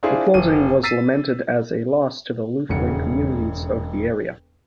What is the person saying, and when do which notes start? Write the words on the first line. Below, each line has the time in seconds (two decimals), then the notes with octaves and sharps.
The closing was lamented as a loss to the Lutheran communities of the area.
0.03 D4 E4 F4 G#4 C5
0.34 F#1 D#7
0.83 E6 A6 B6 C7 D#7
2.69 E1 F2 G#2 C#3 F#5 C#7